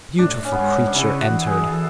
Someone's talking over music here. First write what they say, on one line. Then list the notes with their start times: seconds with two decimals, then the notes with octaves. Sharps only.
A beautiful creature entered.
0.18 A2 D4
0.45 C#4
0.52 B3
0.57 G#2 C#4
0.87 D4
0.95 C#3 E4
1.20 F#4
1.34 E3
1.47 G#4
1.72 A4